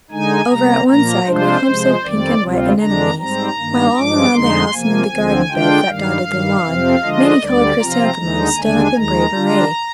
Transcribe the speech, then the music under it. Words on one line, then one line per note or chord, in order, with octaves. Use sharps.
Over at one side were clumps of pink and white anemones; while all around the house and in the garden beds that dotted the lawn many-colored chrysanthemums stood up in brave array.
D3 G#3 D#4 G#5
C3 G3 A#3 A#5
A#2 F3 A#3 A#5
C3 F3 G#3 D4 F4 C5
C3 F3 G#3
F2 D#3 G3 C4 D5
D2 C3 G3 C4 F4
F2 D3 G#3 D4 A#5
G#2 G3 C4 A#5
G2 D#3 A#3
G2 F3 G#3 D6
F2 D3 G#3 D#4 C6
C3 F3 A#3 G#5
D2 D3 F3 C4
D3 G#3 D4 F4 G5
G2 D#3 G3 F5
G2 D#3 G3
F2 C3 F3 C4
D3 F3 G#3 D4 F4 D#5
D2 D3 G3 D5
C3 F3 C4 F4 A#5
D#2 D3 G#3 D#4
D#2 D3 G#3 D4 G#5
D#2 D#3 G#3 A#5
D3 G3 D4 F4